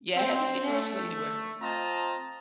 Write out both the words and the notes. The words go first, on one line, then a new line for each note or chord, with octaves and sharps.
Yeah, I haven't seen Ashley anywhere.
C4
A3
C4 F4 C5 D#5 A5 A#5